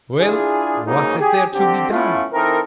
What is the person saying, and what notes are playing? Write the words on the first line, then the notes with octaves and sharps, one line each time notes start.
'Well, what is there to be done?
D4 E4 F4 G#4
G#2 C#3 F#3 A#3 D#4 G#4
G4 G#4
D3 C4 G4
A3 B3 C#4 E4 F4
E3 C4 D#4 A4 A#4